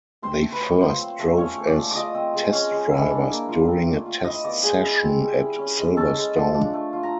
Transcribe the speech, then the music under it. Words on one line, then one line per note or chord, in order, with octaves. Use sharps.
They first drove as test drivers during a test session at Silverstone.
C4 C5 C6
A3
B4 B5
F#3
F4 C5 C6
C4
A3
C#4 C#5 C#6
A3
D5 D6
F3
F4 D#5 D6 D#6
C4
G#3
C#4
G#3
E4
D4
A#3
F4
C4
A3
F4
E4 D#5 D#6
B3 D5 D6
G#3 G#4 G#5
E4
C4
G3
E4
C#4
G#3
C#4 A4 A5
G#3
F3
D4
A3
F4
A#5